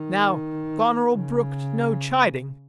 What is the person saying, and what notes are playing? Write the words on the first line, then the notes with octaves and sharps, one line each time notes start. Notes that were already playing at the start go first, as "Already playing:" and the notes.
Now Goneril brooked no chiding.
Already playing: D#3
C#3